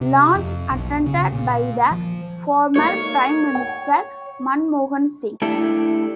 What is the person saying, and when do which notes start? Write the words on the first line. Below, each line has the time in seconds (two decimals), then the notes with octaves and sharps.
Launch attended by the former Prime Minister, Manmohan Singh.
0.01 C3
0.35 F2
0.71 B1
1.06 C#3
1.32 A#2
1.91 F3
2.76 A3 A#3 D#4 C#5
3.55 G5
5.42 A3 D4 E4 G4 A4